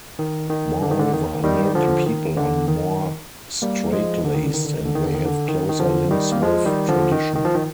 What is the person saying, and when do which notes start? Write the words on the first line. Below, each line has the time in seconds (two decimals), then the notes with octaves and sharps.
Moreover, American people are more straitlaced and they have closer links with tradition.
0.19 D#3
0.50 D#3
0.82 D3
0.91 D#3
0.99 D3
1.13 D#3
1.44 D#3 G3
1.75 D3 F3
2.06 D#3
2.37 D3
2.68 D#3
3.62 G3 A#3
3.93 F3 G#3
4.25 D3
4.34 D#3
4.44 D3
4.54 D#3
4.65 D3
4.74 D#3
4.85 D3
4.95 D#3
5.05 D3
5.14 D#3
5.25 D3
5.48 D#3
5.69 D#3
5.79 D3 F3
6.11 D#3 G3
6.32 A#3
6.42 F3 G#3
6.65 D#3 G3
6.88 D3 F3
7.12 D#3
7.36 D#3
7.45 F3
7.55 D#3